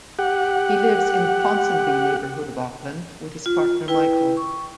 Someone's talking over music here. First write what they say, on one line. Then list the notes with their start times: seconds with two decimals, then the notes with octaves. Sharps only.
He lives in the Ponsonby neighborhood of Auckland with his partner Michael.
0.19 G4 F#5
3.46 F4
3.88 E4 B4 G5
4.37 C#6